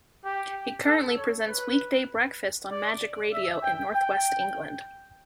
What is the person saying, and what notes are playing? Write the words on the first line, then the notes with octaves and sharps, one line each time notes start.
He currently presents weekday breakfast on Magic Radio in North West England.
G4
A4
C#5
B4
D5
E5
G5
G5